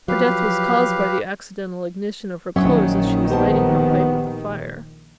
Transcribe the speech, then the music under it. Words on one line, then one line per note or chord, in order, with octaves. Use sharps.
Her death was caused by the accidental ignition of her clothes as she was lighting her pipe at the fire.
F3 F#3 G4 B4 F5
A#1 D#3 F#3 C#4 E5
B3 G4 C5 A5